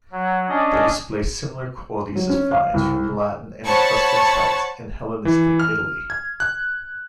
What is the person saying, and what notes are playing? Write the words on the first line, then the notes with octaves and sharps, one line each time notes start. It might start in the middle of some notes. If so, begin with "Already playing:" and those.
They display similar qualities as finds from Latin and Etruscan sites in Hellenistic Italy.
F#3
C#4 D4 D#5
F#3
C#4
F5
C2
C5 C#5 F#5 A5 B5 C#6
E3
F6
G#6
F#6